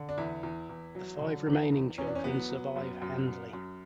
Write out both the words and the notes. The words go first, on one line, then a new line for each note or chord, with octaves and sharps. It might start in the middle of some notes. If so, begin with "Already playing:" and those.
The five remaining children survive Handley.
Already playing: D3
D4
E2 E4
E2
E2
F#3
D3
E2
E2
E2 C#4
D4
C#4
F#3 B3
F#3
F#2
F#2
F#2
F#2